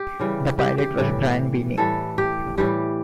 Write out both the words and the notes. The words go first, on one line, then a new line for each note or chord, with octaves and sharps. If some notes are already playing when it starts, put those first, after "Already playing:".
The pilot was Brian Binnie.
Already playing: G4
C#3 E3 G3
G4
G4
A2 E3 G3
A2 E3 G3 A4
G4
A2 E3 G3 G4